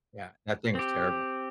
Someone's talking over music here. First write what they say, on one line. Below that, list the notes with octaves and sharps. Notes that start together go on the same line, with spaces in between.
Yeah. That thing was terrible.
C4 G4